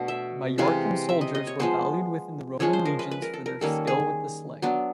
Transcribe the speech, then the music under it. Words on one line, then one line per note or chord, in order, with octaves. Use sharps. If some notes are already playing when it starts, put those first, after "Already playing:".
Majorcan soldiers were valued within the Roman legions for their skill with the sling.
Already playing: B2 A3 D4
E5
C3 E3 G#3 F5
E5
D#5
D#5
C#5
F3 G#3 B3 C5
F3 G#3 C#4 C#5
C5
A#4
B4
B4
A#4
A4
A#4
D#3 G3 A#3 C#4 A4
G#4
F#3 B3 D4